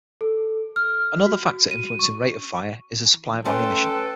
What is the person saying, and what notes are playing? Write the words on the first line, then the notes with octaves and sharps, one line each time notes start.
Another factor influencing rate of fire is the supply of ammunition.
A4
F6
F#4
D#7
C#6
A3 C#4 A4 B4 G5 C6